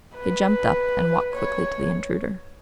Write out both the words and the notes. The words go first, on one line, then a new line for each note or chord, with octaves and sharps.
He jumped up and walked quickly to the intruder.
B4
C#5